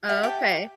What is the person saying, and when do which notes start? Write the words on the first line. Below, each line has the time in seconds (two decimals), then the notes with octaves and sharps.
Oh, okay,
0.09 G4 E5 F#5
0.23 G4 G5 A5